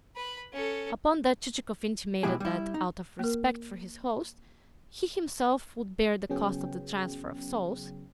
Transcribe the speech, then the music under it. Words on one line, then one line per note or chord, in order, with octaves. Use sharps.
Upon that Chichikov intimated that, out of respect for his host, he himself would bear the cost of the transfer of souls.
B4 B5
C#4 A4
B2 F3 G#3 E4 G4 G#4
G3 E4
D#4
A#3 A#4
C#3 F#3 B3 C#4 G#4 G5